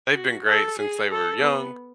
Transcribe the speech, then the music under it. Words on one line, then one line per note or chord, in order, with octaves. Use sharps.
they've been great since they were young
F#4
A4
G#4
A4
B3